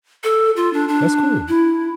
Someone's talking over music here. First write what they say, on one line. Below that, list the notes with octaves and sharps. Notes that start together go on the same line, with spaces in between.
That's cool.
A4
F4
D4
D4
E4